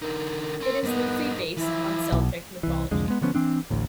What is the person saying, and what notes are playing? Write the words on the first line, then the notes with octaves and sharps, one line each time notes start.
It is loosely based on Celtic mythology.
D3 D#4 A#4
C#4 C6
G2 B3 D#4
E3 F3 E4
B1
C2 E3
C2 F2 D3 G#3
G#3 B3
D3 F3 B3 C#4
E3 C4 D4
A1 D2 A2